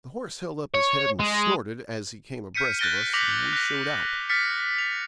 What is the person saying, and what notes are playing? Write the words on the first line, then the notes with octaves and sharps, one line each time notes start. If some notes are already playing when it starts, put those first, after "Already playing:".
The horse held up his head and snorted as he came abreast of us, and we showed out.
C#5
G#3
F6 G6 B6 C#7 D#7
F#6 G6 A6 A#6 D7 G7
D6 A#6 B6 C#7 F7 F#7
F#6 A#6
F6 A6 B6 C#7
F7